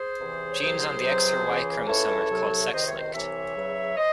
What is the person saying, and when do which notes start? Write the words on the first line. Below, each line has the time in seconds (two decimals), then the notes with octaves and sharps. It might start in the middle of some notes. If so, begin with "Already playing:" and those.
Genes on the X or Y chromosome are called sex-linked.
Already playing: G#4 C5
0.19 E2 C3 E3
0.51 C#5
0.61 C2 C3 F#3 G#4 C5
1.03 C#2 C3 F#3
1.45 C#2 C#3 E3
1.87 C#2 C#3 E3 A4 C#5
2.30 C2 C3 F#3
2.60 E5
2.71 C#2 C3 D#3 C5 D#5
2.85 C#5 E5
2.99 C5 D#5
3.13 C2 C3 E3 C#5 E5
3.56 E2 C#3 F#3
3.97 C5 D#5